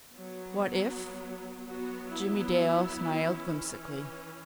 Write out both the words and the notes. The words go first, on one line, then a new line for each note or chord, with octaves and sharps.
What if--Jimmie Dale smiled whimsically.
F#3 B3
F#3 B3 F#4
E4
E3 C#4